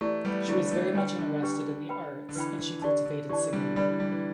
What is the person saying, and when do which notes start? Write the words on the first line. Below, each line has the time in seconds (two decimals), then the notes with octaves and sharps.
She was very much interested in the arts and she cultivated singing.
0.01 E3 A3 E4 G4 D5
0.25 G3 B3
0.48 D3 G3 E4 G4 D5
0.71 E3 A3
0.95 D3 G3 D4 G4 B4 G5
1.19 D3
1.42 D4 G4 B4 G5
1.89 B4 G5 B5
2.29 D3
2.35 E3 B4 G5 B5
2.59 E3
2.82 D3 G4 D5 A5
3.06 D3
3.29 E3 G4 D5 A5
3.53 D3 G3
3.76 D3 G3 B4 D5 B5
3.88 E3
3.99 D3 G3
4.11 E3